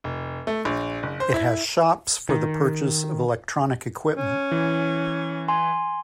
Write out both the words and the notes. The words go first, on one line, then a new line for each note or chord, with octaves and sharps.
It has shops for the purchase of electronic equipment.
F1
A3
A#1
F#1
C5
E4
D#3
C#4
E3
G#5 C6